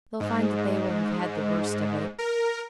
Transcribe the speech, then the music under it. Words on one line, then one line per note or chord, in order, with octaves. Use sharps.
They'll find that they will have had the worst of it.
G#2
A#4